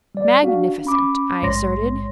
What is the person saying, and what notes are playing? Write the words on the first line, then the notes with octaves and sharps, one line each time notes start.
"Magnificent!" I asserted.
G3 D5
D4 F#4 F5
C#4 B5 D6
A#1 G#2 G#3 C#5 C6 A#6